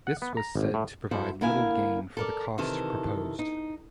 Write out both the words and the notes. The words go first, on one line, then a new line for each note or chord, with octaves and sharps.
This was said to provide little gain for the cost proposed.
F#5
B3
A#5
G#1
A2
F#2 E4 A4 C5
D3 A#3 E4 A#4 F5 G#5
A4 A#4 D5
C3 D#3 E3 A4 A#4
D#4